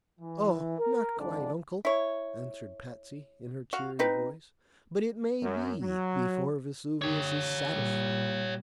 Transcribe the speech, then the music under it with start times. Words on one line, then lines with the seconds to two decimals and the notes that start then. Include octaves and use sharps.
"Oh, not quite, Uncle," answered Patsy, in her cheery voice; "but it may be, before Vesuvius is satisfied."
0.19 E3
0.78 A#4
1.17 F2 G#2 D3 D4 D5
1.85 E4 C#5
3.73 F#4 F5
3.99 C4 D#4 B4
5.42 F#2
5.80 F#3
7.02 D3 G4 C#5
7.71 A#2 G3